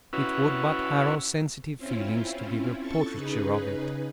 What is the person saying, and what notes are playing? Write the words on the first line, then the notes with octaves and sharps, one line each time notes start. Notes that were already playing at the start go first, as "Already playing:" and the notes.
It would but harrow sensitive feelings to give a portraiture of it.
C#4 E4 F#4 B4
C4 C#4 E4 F4
A4 C#6 A6
C#3 D#4 G#4 B4